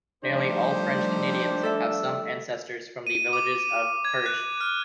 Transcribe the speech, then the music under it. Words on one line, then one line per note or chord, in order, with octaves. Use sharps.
Nearly all French Canadians have some ancestors from the villages of Perche.
F3 G3 A3 D4 D#4 G4 C5
A4 E5
D#7
D6
D#7
G#6
F#6
F6